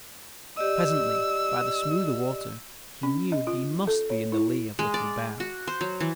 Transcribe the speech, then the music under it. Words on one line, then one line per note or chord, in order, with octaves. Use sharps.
Presently, by the smoother water, he knew he must be in the lea of Little Bear.
G4 D5 D#5 E6
C#4
D#5
F4
A4
C#5
E4
G#3
D5
F#4
C5
F#3
E3